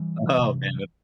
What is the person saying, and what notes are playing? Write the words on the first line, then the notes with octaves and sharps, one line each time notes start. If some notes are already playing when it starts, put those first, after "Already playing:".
Oh, man.
Already playing: E3 G3
C3